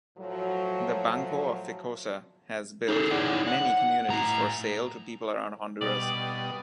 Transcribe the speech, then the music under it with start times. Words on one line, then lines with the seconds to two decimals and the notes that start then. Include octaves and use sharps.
The Banco of Ficosa has built many communities for sale to people around Honduras.
0.18 A2 F3 F#3
2.89 D#4 G#4 A4
3.11 D#4 E4 C#5 D5 F#5
3.47 F#5
4.09 A2 A#5
5.81 B2 G3 D5 D#5